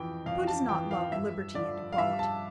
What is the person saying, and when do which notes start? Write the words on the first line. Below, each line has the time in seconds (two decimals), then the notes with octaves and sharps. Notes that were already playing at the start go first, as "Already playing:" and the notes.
Who does not love liberty and equality?
Already playing: F2 E3 G5
0.26 F2 F5
0.47 A5
0.69 E3 G5
0.91 F5
1.12 G2 E5
1.54 D3 F3 D5
1.92 F5
1.98 G2 E5
2.19 A5